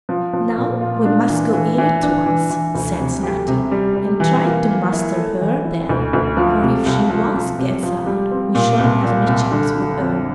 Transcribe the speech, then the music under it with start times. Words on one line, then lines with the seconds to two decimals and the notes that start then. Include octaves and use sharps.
'Now we must go in at once,' said Snati, 'and try to master her there, for if she once gets out we shall have no chance with her.
0.09 F3
0.33 F3
0.57 A#2
0.81 F4
1.05 D4
1.29 E3
1.54 E3
1.78 E3
2.03 D4
2.26 E3
2.50 E3
2.75 D2
2.99 C3
3.23 G4
3.48 C3
3.71 G3
3.96 G3
4.20 E3
4.44 A#3
4.68 A#3
4.93 E4
5.16 A4
5.41 E3
5.65 E4
5.89 D2
6.13 D2
6.37 F3
6.62 C3
6.86 C2
7.10 F3
7.34 F3
7.58 C3
7.83 F3
8.06 G3
8.31 C4
8.55 A#2
8.79 C2
9.03 A#2
9.27 C2
9.52 D3
9.75 D3
10.00 F2